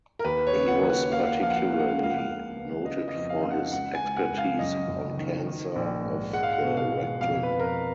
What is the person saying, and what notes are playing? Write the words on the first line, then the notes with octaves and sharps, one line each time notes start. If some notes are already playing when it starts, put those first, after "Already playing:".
He was particularly noted for his expertise on cancer of the rectum.
A#4
D#2 B4
C#5
C#3
F#5
D#2
F#5
A#3 F5
F#5
F5
F#5
F3 F5
F#5
F5
F#5
A#3 F5
F#5
F5
F#5
C#2
F5
F#5
F5
C#2
B3
C#3 D#5
D#5
F2
F5
C#4
F#5
C#2 F#5
G#5
C#2
F#5
C#2
F5
F#2 D#5
F#1
D#3
D#3
A#1
G#2
G#3 F#5
F5
F#5
B2
F5
B2
F2 F5
B4
F2
A#4
B4